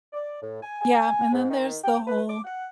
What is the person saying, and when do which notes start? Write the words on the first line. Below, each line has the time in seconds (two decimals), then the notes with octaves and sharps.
Yeah, and then there's the whole
0.13 D5
0.41 A2
0.63 G#5
0.81 G#5
1.32 G#2
1.49 D#3
1.83 G5
2.07 B4
2.28 D6
2.44 F#5